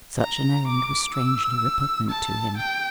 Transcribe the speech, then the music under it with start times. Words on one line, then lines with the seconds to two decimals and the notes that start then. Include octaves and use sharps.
Such an errand was strangely repugnant to him.
0.19 A#5
0.68 D6
1.15 E6
2.10 A5
2.58 G5